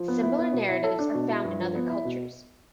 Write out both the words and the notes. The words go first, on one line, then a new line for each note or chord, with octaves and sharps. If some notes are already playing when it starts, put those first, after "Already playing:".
Similar narratives are found in other cultures.
Already playing: F3
B3
E4
B3
B2
E4
A4
D4
B2
E4
G2
F3
B3
E4
B2